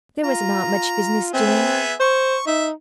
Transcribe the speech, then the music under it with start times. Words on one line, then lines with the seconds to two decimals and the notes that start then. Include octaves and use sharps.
There was not much business doing.
0.24 F4 A#5
1.34 B3 C4 G#4 E5
1.47 C4
2.00 C5 C#6
2.47 D#4 E5